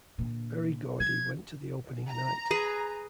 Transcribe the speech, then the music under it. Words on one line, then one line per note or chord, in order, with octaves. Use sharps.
Berry Gordy went to the opening night.
A#2 D3
F3 C#4 G#6
A#5
G#4 B4